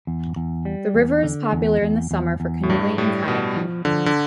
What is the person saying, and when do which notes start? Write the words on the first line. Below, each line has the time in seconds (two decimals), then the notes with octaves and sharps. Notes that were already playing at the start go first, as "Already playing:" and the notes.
The river is popular in the summer for canoeing and kayaking.
0.07 E2
0.36 E2
0.65 G3
0.94 E2
1.23 D3
1.53 E2
1.82 E2
2.11 E2
2.40 E2
2.63 A2
2.69 G2 G3
2.98 A2 G3
3.27 B2 G3
3.56 F3
3.85 D3 F3
4.06 D3